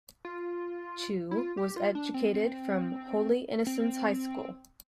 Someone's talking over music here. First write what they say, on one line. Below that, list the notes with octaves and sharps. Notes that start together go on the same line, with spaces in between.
Chew was educated from Holy Innocents' High School.
F4
E4
F4
G4
F4
D4
C4
C4
C4